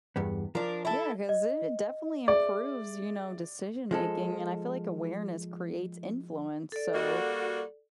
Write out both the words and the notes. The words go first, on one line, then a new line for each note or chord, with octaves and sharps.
Yeah, 'cause it definitely improves, you know, decision making. And I feel like awareness creates influence. So,
E2 G2 B3
F3 D4 A#4
E4 A4
D#5
G#4 D5 E5
F3 G#3 A4
A4 D5
G3 A#3 F#4